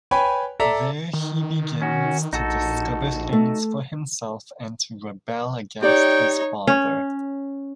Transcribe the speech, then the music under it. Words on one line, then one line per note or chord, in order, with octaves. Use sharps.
There he begins to discover things for himself and to rebel against his father.
B4 C#5 G5 G#5 B5
A4 D5 E5 A#5
D#3
C#4 F#4
A#1 D#4 F#4 A4
A3
D#4 G4 C#5 D5 G5
C#4